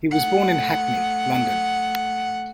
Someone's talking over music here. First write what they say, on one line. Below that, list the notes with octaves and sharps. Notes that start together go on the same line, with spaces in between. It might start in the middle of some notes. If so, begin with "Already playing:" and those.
He was born in Hackney, London.
A3 F#5